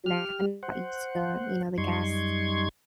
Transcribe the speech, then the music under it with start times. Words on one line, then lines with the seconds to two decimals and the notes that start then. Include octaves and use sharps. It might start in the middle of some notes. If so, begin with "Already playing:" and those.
night, kinda got used to the you know, the guests,
0.06 G4 F6
0.63 C5 F#5
1.78 F#2 G3 D#4 C6 C#6 G#6